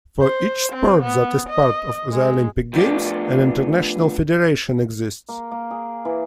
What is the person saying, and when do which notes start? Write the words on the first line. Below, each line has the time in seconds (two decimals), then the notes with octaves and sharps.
For each sport that is part of the Olympic Games, an International Federation exists.
0.22 C5
0.73 C4
1.03 B3
1.50 D#5
2.12 G#3
2.73 F3 A3 B3 D4 G4
5.29 A#3
5.51 A#3
5.71 G#4
6.05 E3